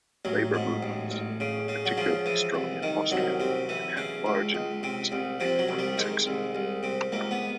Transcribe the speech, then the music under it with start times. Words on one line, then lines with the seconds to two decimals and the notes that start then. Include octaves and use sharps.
Labour movements are particularly strong in Austria and have large influence on labour politics.
0.25 A1 F#3
0.54 G#2
0.83 A1
1.11 A1
1.40 C#3
1.68 C#3
1.85 F#3
1.97 C#3 F3
2.26 E3
2.54 C2
2.83 D#3
3.11 C2 F#3
3.40 C3
3.69 E3
3.97 C#3
4.26 C#2
4.54 C#2
4.83 C3
5.12 C2
5.40 C3 F3
5.59 F#3
5.68 C2
5.79 G3
5.98 D#3 G#3
6.27 C2
6.55 C2
6.83 C3
7.12 C#2 A#3
7.31 B3